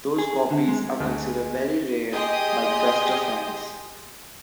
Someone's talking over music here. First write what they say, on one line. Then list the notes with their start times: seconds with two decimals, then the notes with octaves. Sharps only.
Those copies are considered very rare by Guster fans.
0.18 G#4
0.51 D3
0.68 G#3
1.00 D2 G#3
2.12 G4 G#4 D#5 G5 C6 D#6